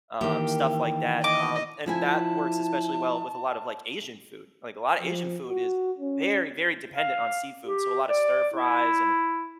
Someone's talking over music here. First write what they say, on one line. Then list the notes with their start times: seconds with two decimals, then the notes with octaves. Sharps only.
um, stuff like that, um, and that works especially well with a lot of, like, Asian food, like, a lotta Asian food is very, very dependent on seafood, so a lot of stir-fries and
0.21 D#3 E3 A#3 G4
1.24 D#5 D6
1.86 F3 E4 G#5 A5
5.01 F3
5.47 F#4
5.98 C#4
6.94 F5
7.65 G4
8.09 D5
8.54 E4